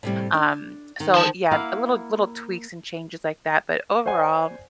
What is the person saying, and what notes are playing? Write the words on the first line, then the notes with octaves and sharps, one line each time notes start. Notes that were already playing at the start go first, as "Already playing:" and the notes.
Um, so, yeah, a little little tweaks and changes like that, but overall,
A2 C3 G3
D4
D#3
C5 A5
A#3 E4 F5 F#5
C5 D5 F#5 G#5